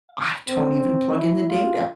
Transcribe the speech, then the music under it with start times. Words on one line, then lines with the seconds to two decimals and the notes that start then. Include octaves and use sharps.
I don't even plug in the data.
0.48 C4
1.15 E4
1.49 F4